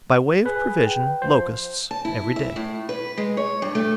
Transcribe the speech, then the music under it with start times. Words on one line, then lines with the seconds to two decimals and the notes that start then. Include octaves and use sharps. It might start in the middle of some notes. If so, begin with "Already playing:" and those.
By way of provision, Locusts, every day.
0.46 G#4 B4
0.86 G5
1.22 F3 C5
1.91 A5
2.05 E4
2.36 E5
2.56 A2
2.89 B4
3.18 G#3
3.37 C#5
3.62 G2
3.75 A3